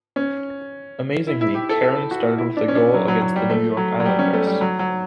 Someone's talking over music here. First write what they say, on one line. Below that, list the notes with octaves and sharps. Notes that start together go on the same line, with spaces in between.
Amazingly, Cairns started with a goal against the New York Islanders.
C#4
E4
E4
G4
A4
A4
F#4
E4
D4
C#4
D4
F#3
F#3
F#3
G3
A3
F#3
F#3
G3
C#4
A3
G3
F#3
F#3